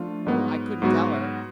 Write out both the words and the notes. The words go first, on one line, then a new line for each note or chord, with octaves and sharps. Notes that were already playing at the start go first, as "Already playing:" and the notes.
"Oh, I couldn't tell her."
Already playing: F3 A3 D4 F4
G#2 F#3 B3 F#4
G#2 F#3 B3 F#4